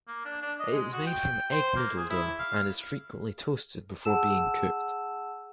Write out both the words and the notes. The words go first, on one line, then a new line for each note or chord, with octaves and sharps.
It is made from egg noodle dough and is frequently toasted before being cooked.
A#3
D4
D4
D#5
G#3
F#4
G5
C5
A#3
G#4
E4
F5
G#4 F#5 A5 E6 E7